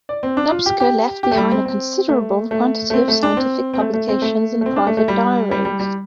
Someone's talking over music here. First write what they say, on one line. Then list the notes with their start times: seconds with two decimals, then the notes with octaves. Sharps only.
Nopcsa left behind a considerable quantity of scientific publications and private diaries.
0.09 D5
0.23 C4
0.37 D4
0.51 F4
0.66 G4
0.80 G4
1.23 G4
1.31 A3
1.37 G3
1.51 C4
1.65 C4
2.09 A3
2.51 A3
2.90 A3
2.94 C4
3.08 A3
3.23 D4
3.37 C4
3.74 C4
3.80 A3
3.93 A3
4.09 C4
4.22 A3
4.61 A3
4.66 C4
4.76 D4
4.87 A3
4.97 A3
5.08 G3
5.51 G3
5.65 G3
5.79 G3